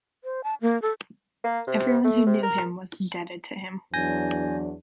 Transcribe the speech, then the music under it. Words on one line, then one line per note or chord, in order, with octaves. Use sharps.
Everyone who knew him was indebted to him.
C5
A5
A#3
A4
A#3
C3
A3
C3
A#4
E2 F#3 D4 G#5 G6 A#6